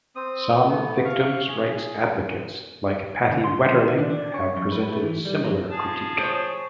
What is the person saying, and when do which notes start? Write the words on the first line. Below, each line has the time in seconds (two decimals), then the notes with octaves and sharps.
Some victims' rights advocates like Patty Wetterling have presented similar critique.
0.16 C4 D#6
0.69 A3 B3
1.05 F5 C#6
1.48 G#4
3.30 D3
3.44 C6
3.73 D#3
3.98 D4
4.10 D4
4.34 C#5
4.57 F#2
4.72 B4
4.87 A3
5.03 E3
5.25 G3
5.45 F#3
5.70 F3 G#4 A5
6.19 C5 C#5